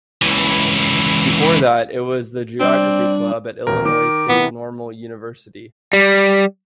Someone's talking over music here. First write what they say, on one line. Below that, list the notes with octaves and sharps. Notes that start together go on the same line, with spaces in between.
Before that it was the Geography Club at Illinois State Normal University.
C#2 E3
G3 C4 D4 D5
D#1 A1 A#4
D#3 D6
C3 E3 B3
G3